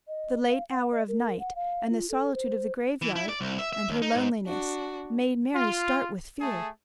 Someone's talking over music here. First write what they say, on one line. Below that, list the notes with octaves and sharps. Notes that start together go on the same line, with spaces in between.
The late hour of night and the solitude of the graveyard and her loneliness made Mary start with fear.
D#5
F5
F#5
D#5
A#4
F#5
F5
F4
A4
C5
E3
E4
D5
C2
E5
E5
D#2
D#4
G#2
D4 F#4
F4
A3 G#4 A5